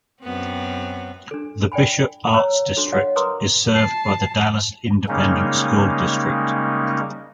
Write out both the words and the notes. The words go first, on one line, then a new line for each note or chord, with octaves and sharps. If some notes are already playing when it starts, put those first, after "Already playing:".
The Bishop Arts District is served by the Dallas Independent School District.
F#2 B3 C4
D4 A4
D5 G5 G#5 B5
C#5 A#5 E6
D4 F#4 A4
F#4 C#5 D#5 F5 F#5
A#4 B4 A#5 C6 D6 D#6
A5 C7
C#3 G3 G#3 A#3 C#4 D#4